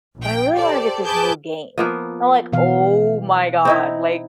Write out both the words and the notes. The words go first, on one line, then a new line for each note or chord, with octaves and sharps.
but I really wanna get this new game." I'm like, "Oh my god, like,
A#1 G5
G4 A4 C5 D5
G#4 B4 A5 D6 G6
F3 A#3 B3
B2 E3 F5
C4 D#4 E4